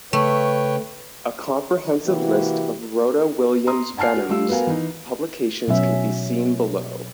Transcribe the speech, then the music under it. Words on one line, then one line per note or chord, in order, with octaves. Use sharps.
A comprehensive list of Rhoda Williams Benham’s publications can be seen below.
C#3 A3 B4 C#5 G5
C3 E3 A#3 E4 F#4 G4
A#5 C6 D#6
F#5 G#5 A5 F6 C7
F#4
G3 A3 F4 E6
B3 F#4 A#4 F5 G#5
E3 D#4
B2 F#3 C#4 E5